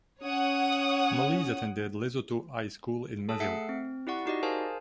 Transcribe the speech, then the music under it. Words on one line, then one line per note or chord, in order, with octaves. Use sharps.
Molise attended Lesotho High School in Maseru.
C#4 C#5 F#5 D#6
G#4 A4 A5
A3 E5 F#5 C7 C#7
C4
E4 G4 D5 F#5 C#6
D#4 F#4 G4 D5 D#5
G#4 A#4 C5 F5 G#5 A5